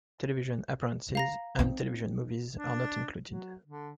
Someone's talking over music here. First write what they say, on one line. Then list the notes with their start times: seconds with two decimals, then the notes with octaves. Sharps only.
Television appearances and television movies are not included.
1.15 F5 A#5 A#6
1.59 C4 D#4
2.54 D4
3.25 F#3
3.65 D3